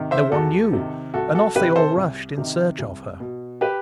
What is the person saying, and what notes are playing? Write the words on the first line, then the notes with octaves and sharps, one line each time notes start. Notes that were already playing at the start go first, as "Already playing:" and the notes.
No one knew, and off they all rushed in search of her.
Already playing: C3 D#3
C5 E5
E2 F#4 A4
C3 D#3
C2 F#4 A4
F#4 A4
C3 D#3 G4 B4
A4 C5
C2
C3 D#3
C2
B2
G4 B4